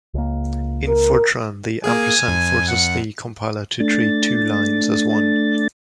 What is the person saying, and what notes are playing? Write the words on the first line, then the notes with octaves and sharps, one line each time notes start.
In Fortran, the ampersand forces the compiler to treat two lines as one.
C#2 A#3
A#4
A#3 G#4 G#5
F2
F#5
A3 D4 A6